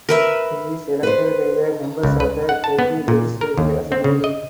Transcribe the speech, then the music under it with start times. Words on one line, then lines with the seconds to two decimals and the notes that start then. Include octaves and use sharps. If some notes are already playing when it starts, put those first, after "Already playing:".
He is elected by the members of the Delhi Legislative Assembly.
0.09 A#4 B4 E5
1.03 B4 C5
2.03 C#2
2.20 B4
2.49 F#5
2.64 A5
2.79 B3
3.08 A#2
3.41 A#4
3.58 D#2
3.92 C4
4.04 C#3
4.24 D#5